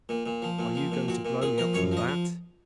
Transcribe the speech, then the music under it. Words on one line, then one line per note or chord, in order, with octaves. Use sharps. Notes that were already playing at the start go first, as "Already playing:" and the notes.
Are you going to blow me up for that?
A#2
A#2
F3
A#2
F3
A#2
A#2 F#4
A#2
A#2 G#4
F3 A#4
F#2 C#5
F3
D#5
F3